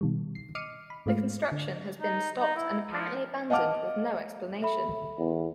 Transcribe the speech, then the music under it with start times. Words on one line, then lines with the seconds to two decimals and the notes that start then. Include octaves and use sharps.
The construction has been stopped and apparently abandoned with no explanation.
0.01 B2 D#3 G3
0.35 C7
0.55 D#5 D6 F6 C7 C#7 D#7
0.90 B5
1.06 G#2 G#3 A3 F4 F5
1.52 D3
2.01 D#4
2.40 D#4
2.56 E4
2.91 F3
3.50 D#5 F5 F#5 A5 D6 F6
4.61 A4 E5 B5
5.18 E2